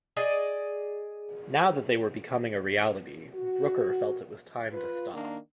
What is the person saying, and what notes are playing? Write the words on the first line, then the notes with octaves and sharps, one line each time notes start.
Now that they were becoming a reality, Brooker felt it was time to stop.
G#4 D5 D#5
F#4
F4 B4
D#3 A#3 D4